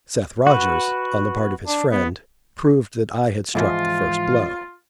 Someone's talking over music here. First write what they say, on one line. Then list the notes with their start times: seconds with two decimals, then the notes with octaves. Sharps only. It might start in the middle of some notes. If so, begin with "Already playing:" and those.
Seth Rodgers, on the part of his friend, proved that I had struck the first blow.
0.47 F#4 B4
1.67 D4
1.91 B3
3.55 G#2 E3 F3 F4